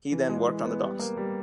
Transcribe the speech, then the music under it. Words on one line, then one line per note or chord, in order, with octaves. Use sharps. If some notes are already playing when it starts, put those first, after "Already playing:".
He then worked on the docks.
E3
G#3
E3
B3
G3
A#3
G3